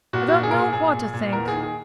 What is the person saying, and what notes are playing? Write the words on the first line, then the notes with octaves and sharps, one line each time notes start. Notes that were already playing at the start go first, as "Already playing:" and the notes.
"I don't know what to think."
A#2 F#4
A#2 F#4
G#4
A#2 A#4
G#4
A#2 G#4
A#2
A#2
E2 A#4
G#4
D#3
G#4